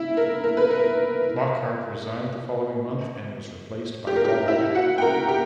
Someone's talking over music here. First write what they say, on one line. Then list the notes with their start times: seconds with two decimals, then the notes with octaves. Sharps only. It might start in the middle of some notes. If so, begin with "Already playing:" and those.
Lockhart resigned the following month and was replaced by Rawle.
Already playing: E4 E5
0.17 A#4
0.44 A#4
0.57 B4
0.71 A#4
4.07 G4
4.16 A#4
4.25 G4
4.48 E4 E5
4.75 F#4 F#5
4.98 G5
5.02 A#4 A#5
5.28 G4 G5